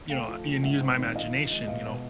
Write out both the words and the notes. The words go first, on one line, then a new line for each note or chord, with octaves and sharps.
you know, and use my imagination, you know?
A3 F5 G5
F3
F3
G#2 E5 F#5
C4
D#3
F3 D#5 F5
F3
G#3
B2 D#5 F5
B2